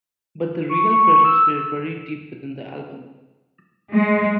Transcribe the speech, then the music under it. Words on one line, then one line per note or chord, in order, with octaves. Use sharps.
But the real treasures were buried deep within the album.
C#6
E6
G#3